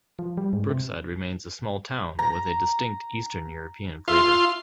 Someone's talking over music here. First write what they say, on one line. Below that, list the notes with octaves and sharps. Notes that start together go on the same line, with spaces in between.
Brookside remains a small town with a distinct Eastern European flavor.
F3
G3
G#2
C3
A#5
F4 E5 C6